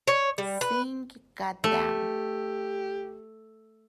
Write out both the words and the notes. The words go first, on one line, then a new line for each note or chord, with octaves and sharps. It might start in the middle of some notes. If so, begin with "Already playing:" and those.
Sing: Goddamm.
C#5
G3
B4
A3 G4